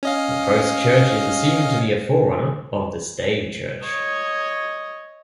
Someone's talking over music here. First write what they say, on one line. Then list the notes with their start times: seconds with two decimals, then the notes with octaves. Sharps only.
The post church is assumed to be a forerunner of the stave church.
0.03 C#4 D#5 F5
3.84 C#5 D#5